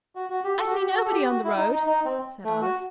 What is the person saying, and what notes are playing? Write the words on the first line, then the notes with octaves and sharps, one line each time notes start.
'I see nobody on the road,' said Alice.
F#4
F#4
G4
A4
F#4
G4
F#4
A4
G4
F#4
E4
D#4
D#4
D#4
C4
A3
F#4